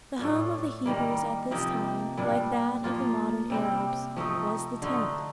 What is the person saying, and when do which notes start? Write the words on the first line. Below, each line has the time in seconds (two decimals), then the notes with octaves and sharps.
The home of the Hebrews at this time, like that of the modern Arabs, was the tent.
0.19 A2 A3 D4 F4
0.85 D#3 G3 A#3
1.51 C3 F3 A#3 D#4
2.17 A#2 G3 D4
2.84 F3 A#3 F4
3.50 C3 G3 C4
4.16 F3 A3 D#4
4.82 D3 A3 D#4